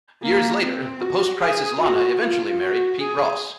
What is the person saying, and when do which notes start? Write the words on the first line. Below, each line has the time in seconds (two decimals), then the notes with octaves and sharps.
Years later, the post-"Crisis" Lana eventually married Pete Ross.
0.22 A#3
0.62 C4
1.01 F#4
1.40 G#4
1.80 F#4
2.21 F4
2.60 F#4
3.00 G#4